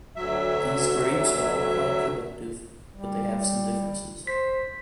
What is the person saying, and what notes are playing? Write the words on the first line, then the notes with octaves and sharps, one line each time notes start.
These grapes are all quite productive, but they have some differences.
D2 F#3 E5
G3
C5 B6